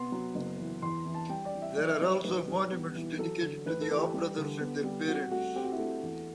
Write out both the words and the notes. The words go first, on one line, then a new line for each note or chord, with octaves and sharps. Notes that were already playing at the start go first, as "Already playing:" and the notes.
There are also monuments dedicated to the Aw brothers and their parents.
Already playing: C3 B3 C6
F#3
F#1
E3
E2 C6
E3
A5
G3 G5
D5
E3
E5
B1 D5
E5
G3 D5
C5
B1 B4
G3
B3
E3
F#3 A4
D3
A1 B4
A4
E3
G4
G3
D3
B3
G3
C4 F#4
A3 F#4
C4 G4
F#4
E4
A3 F#4
E2